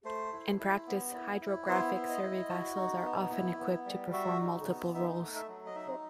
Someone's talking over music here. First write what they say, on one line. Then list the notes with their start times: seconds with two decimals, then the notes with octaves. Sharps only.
In practice, hydrographic survey vessels are often equipped to perform multiple roles.
0.05 A3 C5
0.32 E4
0.59 E4
0.87 B3
1.14 E4
1.41 E4
1.68 B3 C5
1.95 E4
2.09 D#5
2.23 E4
2.49 F#4
2.76 D#4
3.04 B3
3.32 E4
3.59 B3
3.86 G3
4.12 F#4 E5
4.41 D#4
4.67 B3
4.94 D#4 E5
5.21 A3
5.35 E5
5.48 F#3
5.66 D#5
5.75 D#4 E5